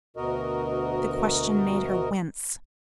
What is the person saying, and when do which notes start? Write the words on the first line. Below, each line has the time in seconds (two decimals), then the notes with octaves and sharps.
The question made her wince.
0.17 D2 B2 F#4 A#4 D#5